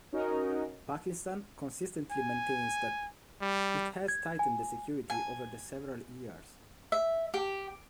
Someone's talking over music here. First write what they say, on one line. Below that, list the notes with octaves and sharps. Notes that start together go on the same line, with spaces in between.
Pakistan consistently maintains that it has tightened the security over the several years.
C#4 D#4 F#4 A#4 D#5
G#5
G3
G#6
G#5
G#5
E5
G4